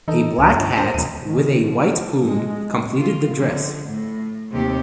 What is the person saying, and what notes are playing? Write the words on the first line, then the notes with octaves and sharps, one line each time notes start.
A black hat with a white plume completed the dress.
E3 D#4 A4
G1 C#2 C#5
G2
D4 A#4 C5
F1 D#2 D#7
D#3
F3
G#3
F4
D3 F3
A2
D#2 C3 G4